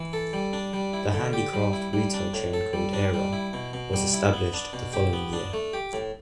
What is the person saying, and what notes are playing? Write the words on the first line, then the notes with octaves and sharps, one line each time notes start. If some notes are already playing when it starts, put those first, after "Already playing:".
The handicraft retail chain called Aarong, was established the following year.
Already playing: E3
A4
G3
D4
G3
E4
D3
G4
G3
E4
G3
D4
A2
A4
G3
D4
G3
E4
B2
B2
G3
E4
B3
D4
B2
G4
B3
D4
A3
G4
A2